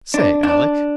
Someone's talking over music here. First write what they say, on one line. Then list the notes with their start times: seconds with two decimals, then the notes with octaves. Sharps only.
"Say, Alec."
0.14 D4
0.43 D4